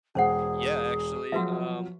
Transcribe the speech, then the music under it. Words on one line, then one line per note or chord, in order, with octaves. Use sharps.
Yeah, actually, um,
E1 C#4 G#4 C5 F#5
F3 F#3 F#4 B4 E5